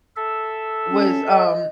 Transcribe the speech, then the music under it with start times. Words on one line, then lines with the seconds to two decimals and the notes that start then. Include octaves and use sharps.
was, um,
0.16 A4 E5
0.90 C#4
1.28 D#5